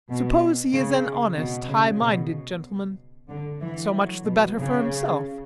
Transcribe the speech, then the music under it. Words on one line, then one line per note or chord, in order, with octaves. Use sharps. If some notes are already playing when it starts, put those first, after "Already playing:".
Suppose he is an honest, highminded gentleman; so much the better for himself.
B2
C#3
B2
C#3
B2
D3
E3
F#3
B2
C#3